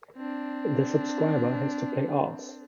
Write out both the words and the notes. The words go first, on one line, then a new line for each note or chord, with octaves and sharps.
The subscriber has to pay Rs.
C4 D4